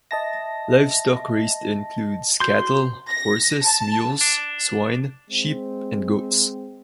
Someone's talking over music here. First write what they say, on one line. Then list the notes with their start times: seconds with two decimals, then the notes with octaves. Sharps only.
Livestock raised includes cattle, horses, mules, swine, sheep and goats.
0.11 D#5 E5 A5 A#6
2.40 F#4 C6 G6
3.09 A#6
3.62 A5
4.21 D4
5.29 G#3 C4